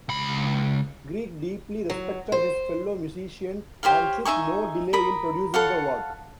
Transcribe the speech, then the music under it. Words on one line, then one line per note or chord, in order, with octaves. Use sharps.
Grieg deeply respected his fellow musician and took no delay in producing the work.
C#2 B5
F#3
C5
G4 C5 C#5 F5
D#4 E5 G#5 C#6
A#4 B5 D#6
A4 C#5 F5 F#5